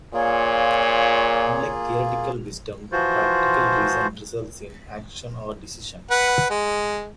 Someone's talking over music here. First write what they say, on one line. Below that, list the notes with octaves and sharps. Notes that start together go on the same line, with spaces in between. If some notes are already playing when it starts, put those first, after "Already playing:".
Unlike theoretical wisdom, practical reason results in action or decision.
A#2 A#3 F4 G#4 C#5
E3 F3 F4 F#4 C5
B4 F#5
G#3